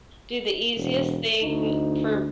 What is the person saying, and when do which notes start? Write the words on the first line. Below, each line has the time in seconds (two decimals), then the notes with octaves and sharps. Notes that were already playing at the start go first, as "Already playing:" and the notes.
do the easiest thing for
0.77 E1
1.42 D2 D#4